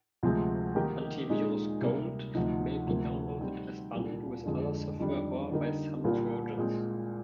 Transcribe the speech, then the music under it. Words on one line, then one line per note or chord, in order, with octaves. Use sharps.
AntiVirus Gold may be downloaded as bundle with other software or by some trojans.
D2 C3 F3 G#3 C4
D#3 A#3 D#4 G4
A#2 G#3 D#4
C3 G3 A#3
D2 C3 F3 C4 D#4
D2 C3 F3 A#3
G3 C4 D#4
C2 A#2 G3
F2 D3 G#3
F2 D#3 G3 D4
D3 G3 A#3 D#4
C2 A#2 G3 A#3 F4
A#2 G#3 C4